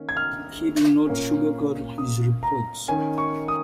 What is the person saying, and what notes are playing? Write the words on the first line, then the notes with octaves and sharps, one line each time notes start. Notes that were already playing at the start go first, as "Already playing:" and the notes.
He did not sugar-coat his reports.
Already playing: D#3 A#3 C#4
G#6
F6
A#2 A#3 C#4
D#6
A#5
D#3 C#4 G#5
C#6
D#6